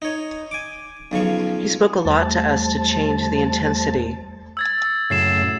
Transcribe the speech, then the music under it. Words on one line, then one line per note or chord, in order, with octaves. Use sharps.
He spoke a lot to us to change the intensity.
D#4 C#5
G#5 D6
B1 C#3 F3 C#6
E2 G3 A3 C5 A5 A6
E6 G#6 A6
F#2 A2 C#3 A6 C7 E7